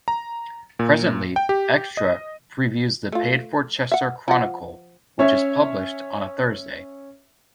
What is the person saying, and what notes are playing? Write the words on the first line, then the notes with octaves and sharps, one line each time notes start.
Presently "Xtra" previews the paid-for "Chester Chronicle" which is published on a Thursday.
A#5
A#2
G5
G4
D#5
A3 F4
E5 F#5
F3 F#5
C#4 C#5 E5